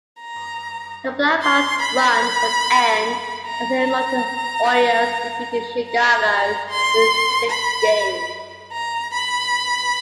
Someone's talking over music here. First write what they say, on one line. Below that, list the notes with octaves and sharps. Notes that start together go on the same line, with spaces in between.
The Blackhawks run would end, as the Edmonton Oilers defeated Chicago in six games.
A#5
C6
B5
A#5
A#5
A#5
C6
B5
A#5
B5